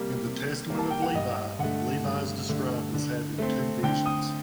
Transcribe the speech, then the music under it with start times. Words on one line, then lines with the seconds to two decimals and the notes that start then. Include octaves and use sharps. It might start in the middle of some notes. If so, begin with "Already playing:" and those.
In the "Testament of Levi", Levi is described as having had two visions.
Already playing: C3 G3 A#3
0.25 C3
0.70 G3 A#3
0.79 A5
0.91 G5
1.02 F#5
1.14 G2 D#5
1.59 D3 A3 F#5
2.04 G2
2.49 D3 A3
2.94 D3
3.39 A3 C4
3.83 D3 G5
4.06 D#6